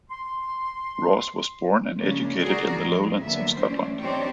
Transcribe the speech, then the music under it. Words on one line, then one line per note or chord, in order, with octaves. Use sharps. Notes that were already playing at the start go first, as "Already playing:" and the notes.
Ross was born and educated in the lowlands of Scotland.
C6
C#3 F3 G#3 A#3 C#4 D4
F#4 G#4 A#4 D5
F2 A2 E3
D3 F#3 A#3 B3 E5
E3 A3 C#4 D4 C5
C4 D4 D#4 G4 C#5 D5